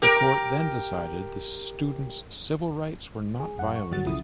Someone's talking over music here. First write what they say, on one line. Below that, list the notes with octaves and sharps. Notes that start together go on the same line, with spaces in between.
The court then decided the students' civil rights were not violated.
G4 A#4
G#4
F#2 F#5
C#6
G2 D3 F#3 F#5 A6
B1 C#3 F3 E4 D#6